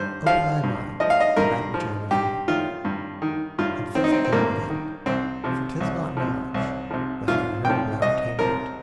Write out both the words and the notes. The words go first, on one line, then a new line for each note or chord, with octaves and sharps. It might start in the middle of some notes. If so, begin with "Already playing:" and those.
Open thy mind to that which I reveal, And fix it there within; for 'tis not knowledge, The having heard without retaining it.
Already playing: G2 C5
F3 F5
G2
F3 D#5
F5
D#5
G2 A#4
F3
G2 G4
D#3 F4
G2
D#3
G2 F4
D#3 C4
D#4
C4
C4
G2 A#3
D#3
C2 C4
C3 F3
C2
C3 F3
C2
C3 F3
C2 F4
C3 F3 G5
C2 D#5
C3 F3 A#4